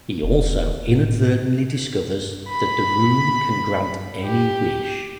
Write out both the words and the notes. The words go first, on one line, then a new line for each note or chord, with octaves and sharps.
He also inadvertently discovers that the Room can grant any wish.
E1
A2
B5
G4